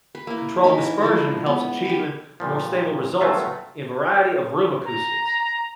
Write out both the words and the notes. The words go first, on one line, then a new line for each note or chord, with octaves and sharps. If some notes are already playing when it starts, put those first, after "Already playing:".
Controlled dispersion helps achieving more stable results in variety of room acoustics.
B4
A#3 E4
E3 A#3 D#4 B5
F3 G#3 D4 E4
B3
G4 B4
G2 A#2 F3
G2 B2 F#3 A3 F4 E5
A#5